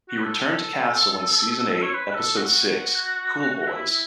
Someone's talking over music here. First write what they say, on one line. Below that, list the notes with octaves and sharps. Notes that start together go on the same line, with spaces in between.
He returned to Castle in season eight, episode six "Cool Boys".
F#4
B4
A4
C#5
B4
B4
A4
F#4
E4
E4